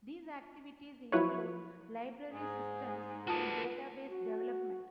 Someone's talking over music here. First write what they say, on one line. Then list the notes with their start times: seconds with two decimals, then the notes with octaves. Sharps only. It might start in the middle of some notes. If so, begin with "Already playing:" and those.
These activities include library systems and database development.
1.12 F3 F#3 E4 B4 C#5
2.34 G#2 G#4
3.27 F4 F#4 A4 B4 A5 D#6
4.10 F#4